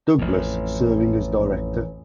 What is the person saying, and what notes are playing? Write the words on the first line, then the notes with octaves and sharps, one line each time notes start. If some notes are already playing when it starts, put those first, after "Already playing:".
Douglass serving as Director.
A1 F2